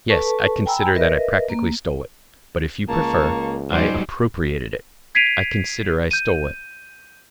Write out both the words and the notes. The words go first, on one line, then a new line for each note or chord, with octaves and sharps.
Yes, I consider that I practically stole it, but, if you prefer, I 'appropriated it.' I consider I stole it.
A4 B4 A5 C#6
G5 G#5 A#5 B5 E6
A#4 B4 D#5 E5
A#3
C#2 A#3 A5 C#6
G#2 F#3 G3 C5
G#6 B6 C7 D7 D#7 F7
G6 D#7